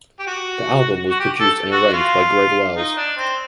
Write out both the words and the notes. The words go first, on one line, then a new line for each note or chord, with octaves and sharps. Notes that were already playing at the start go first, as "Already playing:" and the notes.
The album was produced and arranged by Greg Wells.
G4
F#4
F#4
G4
A4
F#4
F4
D#4
D4
C4